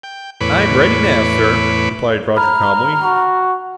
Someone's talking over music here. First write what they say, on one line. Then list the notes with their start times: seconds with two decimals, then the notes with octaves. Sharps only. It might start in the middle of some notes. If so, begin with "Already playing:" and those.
"I'm ready now, sir," replied Roger calmly.
0.03 G5
0.41 E2 A2 B4 C#5 B5 D6
2.37 A#5 B5 F6
3.02 F#4